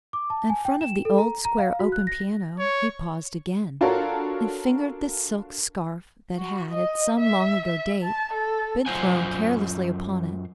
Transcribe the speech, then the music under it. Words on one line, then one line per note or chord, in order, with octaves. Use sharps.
In front of the old, square, open piano he paused again, and fingered the silk scarf that had, at some long ago date, been thrown carelessly upon it.
D6
A5
G#5
G5
E7
A4
A#5
A#5
F5
F#4
F#6
A#6
C#5
D4 F4 F#4 A4 A#4 C#5
F#4
D#5
E5
E5
A5
A4
F#2 C4 F4 C5 F#5 G#5